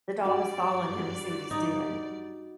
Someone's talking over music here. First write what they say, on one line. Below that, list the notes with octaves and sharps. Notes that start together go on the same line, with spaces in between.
the dog is following him to see what he's doing.
G2 G3 F#4 D5
D#4